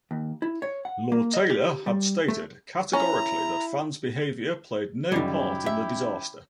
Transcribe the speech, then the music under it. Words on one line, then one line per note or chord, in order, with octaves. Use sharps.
Lord Taylor had stated categorically that fans' behaviour played no part in the disaster.
D#2
E4
C#5
F#5
A#3
D#5
G4
G3
A3
C#4 E4 A#5
C#2 F#2 D#3 F#3 G3 E4 G4
E5